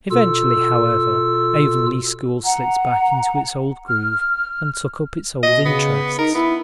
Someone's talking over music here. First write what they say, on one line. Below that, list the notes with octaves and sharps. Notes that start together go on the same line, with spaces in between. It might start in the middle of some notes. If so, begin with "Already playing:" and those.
Eventually, however, Avonlea school slipped back into its old groove and took up its old interests.
B2 F4 A4 E6
F#5 A#5
F6
B2 D#5
C#3 B3
D#4 A#4
B3 E4